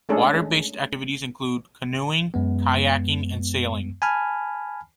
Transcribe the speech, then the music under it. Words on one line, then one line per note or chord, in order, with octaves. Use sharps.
Water based activities include canoeing, kayaking and sailing.
G#3 A3 C#4 D4 G#4 A4
F#2 G#3 B3
G#5 A5 B5 F6